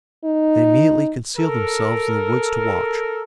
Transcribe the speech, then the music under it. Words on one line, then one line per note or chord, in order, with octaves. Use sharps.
They immediately concealed themselves in the woods to watch.
D#4
A4 A#4